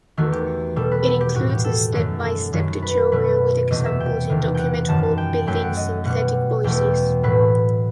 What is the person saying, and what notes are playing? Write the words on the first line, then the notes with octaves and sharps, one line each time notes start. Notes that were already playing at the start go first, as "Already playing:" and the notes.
It includes a step-by-step tutorial with examples in document called "Building Synthetic Voices".
E2 D#3 A3 F#4
G4
B2 G3 A4
B4
A4
G4
A2 G3 F#4
G4
A4
F#2 D#3 F#3 A3
A4
F#2 D#3 F#3
B4
B2 F#3 A3 B4
E2 C3 F#3 A3 D#5
E5
G5
E2 C3 D#3
F#5 G5
F#5
F#2 D#3 G3 A5
A5
G5
F#2 F#3 A3 G5
F#5
D#5
B2 G3 F#5
E2 B2 A3 G5
A2 F#3 A3 B4